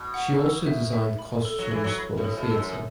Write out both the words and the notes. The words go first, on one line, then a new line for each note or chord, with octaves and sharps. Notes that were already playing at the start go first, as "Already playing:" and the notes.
She also designed costumes for theatre.
Already playing: B2
F#5
E6
E5
E5
B5
A4
F#3
E3 A4
F#3
B5
A2
A4
B2
E6
F#2